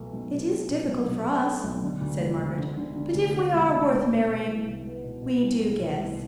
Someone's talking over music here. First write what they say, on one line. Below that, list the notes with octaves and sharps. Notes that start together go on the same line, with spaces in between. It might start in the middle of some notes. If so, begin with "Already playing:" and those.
"It is difficult for us," said Margaret; "but if we are worth marrying, we do guess."
Already playing: B1 B2 A3
B1
B2
C4
B2
B1
B2
C4
A3
B1
D3
D2
E1
D2
D3
D3
D3
D2
D3
E1
D2
E1
B2
B2
C2
C2
B3
B2
B2
C2
C2
B2
C2